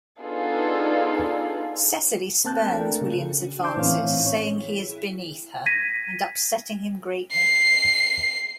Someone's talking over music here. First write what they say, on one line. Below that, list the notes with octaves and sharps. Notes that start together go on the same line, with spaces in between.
Cecily spurns William's advances, saying he is "beneath her", and upsetting him greatly.
B3 D4 D#4 F4 G#4 A4
A#3 C4 A5 F#6 G6 A6
A3 D4 A4 A#4 G5
C#3
D4 C5 A5 C6 D6 G6
A2 E3 C4 C#4 C#5 F5
C#5
G#6 A#6 B6 D#7
C7